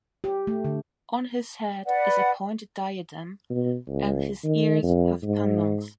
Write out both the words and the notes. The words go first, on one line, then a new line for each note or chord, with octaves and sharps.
On his head is a pointed diadem, and his ears have pendants.
G4
A3
D3
B4 D5 F#5
B2
C#2
D#3
F2
G#2